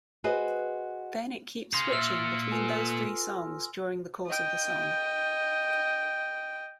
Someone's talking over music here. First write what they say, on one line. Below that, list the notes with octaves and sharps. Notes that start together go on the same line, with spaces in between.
Then it keeps switching between those three songs during the course of the song.
F#4 G#4 B4 C5 D#5
G#4 F5 C6 D#6 A#6
A#2 E5 E6 F6 A6
F4 A4 B4 G#5
D#5 G5